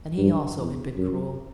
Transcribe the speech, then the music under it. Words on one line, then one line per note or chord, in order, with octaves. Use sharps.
And he also had been cruel.
G2
E2
F#2